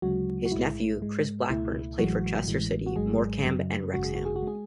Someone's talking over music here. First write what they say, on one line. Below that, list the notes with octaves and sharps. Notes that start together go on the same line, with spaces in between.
His nephew, Chris Blackburn, played for Chester City, Morecambe, and Wrexham.
D2 C#3 F#3 G#3 F#4
F#4
B1 A2 G#3 E4
G#2 G#3
C#2 B2 A3 E4
A1 A2 E3 F#3 G#3 F#4
A1 A2 E3 G#3
F#4
G#1 G#2 F#3 G#3 G#4
F#2 C#3 F#3
G#1 F#2 C#3 G#3 F#4
G#4
F#4
G#4
F#4
G#3
G#4